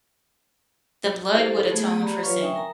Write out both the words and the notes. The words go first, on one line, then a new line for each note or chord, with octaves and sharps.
the blood would atone for sin,
E4 G4 A4 C5 F5
A3 B3 G#4
G4 D5 A#5 B5
F#3 F4 B4 C#5 F5 C#6
E5 G5 G#5 C#6 D#6
A#4 A#5